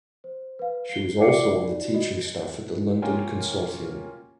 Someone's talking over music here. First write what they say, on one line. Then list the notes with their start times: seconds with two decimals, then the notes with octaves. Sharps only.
She was also on the teaching staff of the London Consortium.
0.24 C5
0.59 B4 F5
0.89 C7 G7
1.19 D5 E5 F5 D6 C7 C#7
1.62 D#4 F#4 D5
1.94 F#4 D#5
3.02 A#3 C#4 F4 A#4 G5 G#5